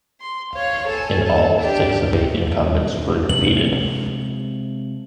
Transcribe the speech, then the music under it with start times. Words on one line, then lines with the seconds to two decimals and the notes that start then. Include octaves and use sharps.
In all, six of eight incumbents were defeated.
0.21 C6
0.53 C#5 F5
0.88 A4 G#5
1.23 A4
1.60 D4 G4
3.29 C3 F3 G#3 F#7